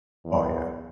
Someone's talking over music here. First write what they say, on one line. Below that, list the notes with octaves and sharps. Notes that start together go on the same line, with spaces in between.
Oh, yeah.
E2